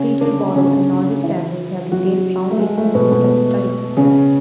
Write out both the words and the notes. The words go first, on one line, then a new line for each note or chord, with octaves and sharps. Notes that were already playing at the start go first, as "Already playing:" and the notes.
Peterborough and Norwich Cathedrals have retained round east ends in the French style.
Already playing: C#3 C#4
D3 D4
C#3 C#4
E3 E4
F#3 F#4
A3
G#3
A3
B2 B3
B2 B3
C#3 C#4